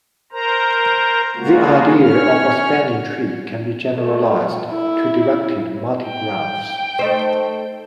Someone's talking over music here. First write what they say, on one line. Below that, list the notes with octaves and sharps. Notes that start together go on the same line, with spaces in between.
The idea of a spanning tree can be generalized to directed multigraphs.
A#4 C5 A#5
C#3 G#3 A#3 F4 F#4
C#4 C#5 F6
A3
E4
G5
A3 D#4 C5